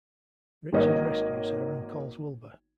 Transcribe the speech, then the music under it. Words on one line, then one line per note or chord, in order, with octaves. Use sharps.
Richard rescues her and calls Wilbur.
G#1 D#3 A#3 C#5 D#5